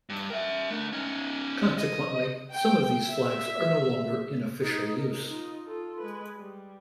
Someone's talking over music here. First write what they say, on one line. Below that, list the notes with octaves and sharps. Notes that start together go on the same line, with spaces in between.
Consequently, some of these flags are no longer in official use.
G2
A#4 E5
A3 D4
C#4 D#4
D#5
G5
E5
D#4 D#5
A#4
D#4 F4
F4 A4
G#3 B4
G3